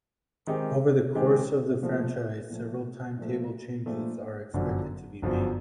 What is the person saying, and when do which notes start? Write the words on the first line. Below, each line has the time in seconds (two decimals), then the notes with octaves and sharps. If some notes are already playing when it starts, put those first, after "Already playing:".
Over the course of the franchise several timetable changes are expected to be made.
0.47 D#3 G#3 C4 D#4 G4
1.15 D#3 G#3 C4 D#4 G4
1.83 A#2 F3 A3
2.50 A#2 F3 A3
3.18 A#2 F3 A3
3.86 A#2 F3 A3
4.54 G1 F#2 D3 F3
5.22 G1 F#2 D3 F3